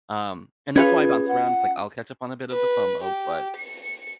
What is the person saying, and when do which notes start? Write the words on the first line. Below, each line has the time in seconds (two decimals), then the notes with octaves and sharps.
Um, and that's why I bounce around, it's like I'll catch up on a bit of the FOMO, but
0.76 C#4 F4 G#4 B4 G#6
1.28 F#5
2.52 B4
3.05 G4
3.58 C#7